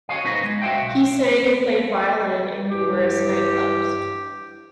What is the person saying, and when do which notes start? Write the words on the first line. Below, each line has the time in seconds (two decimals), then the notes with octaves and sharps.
He sang and played violin in numerous nightclubs.
0.09 F#4 C#5 D#5 F5
0.25 B3 D#4 B4 C5 D#5
0.44 G#3
0.62 F#4 C5 E5 F5 G5
0.82 B1
2.70 G2 E3 G4